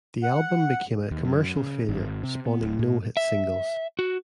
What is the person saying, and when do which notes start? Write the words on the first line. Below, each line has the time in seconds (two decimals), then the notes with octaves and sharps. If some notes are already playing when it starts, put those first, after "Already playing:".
The album became a commercial failure, spawning no hit singles.
0.23 F#5
1.11 D#2
1.25 F#2
1.57 C#3
1.89 G#1
2.23 C3
2.46 B3
2.61 D1
2.79 A2
3.17 E5
3.99 F#4